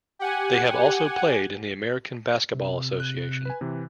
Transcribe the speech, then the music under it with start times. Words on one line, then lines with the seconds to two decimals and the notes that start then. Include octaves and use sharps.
They have also played in the American Basketball Association.
0.19 G4 F#5 G#5
2.54 C3
3.00 F#6
3.45 B4 G#5
3.61 C3 E3